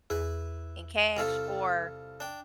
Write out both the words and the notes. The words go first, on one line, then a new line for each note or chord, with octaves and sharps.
in cash or
E2 E4 G#4 B4
C2 F4 A4
D4 G5